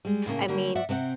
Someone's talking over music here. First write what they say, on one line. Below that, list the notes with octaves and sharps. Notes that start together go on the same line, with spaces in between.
I mean,
G3 G#3
A2 C#3 A#3 C#4
D3 G3 A#3
D5 E5 F#5
C3 C4 C#5 F#5